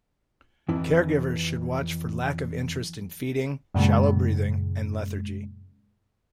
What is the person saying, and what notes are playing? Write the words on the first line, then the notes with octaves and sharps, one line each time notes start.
Caregivers should watch for lack of interest in feeding, shallow breathing, and lethargy.
F2 E3
F#2 A#2 C#3 G#3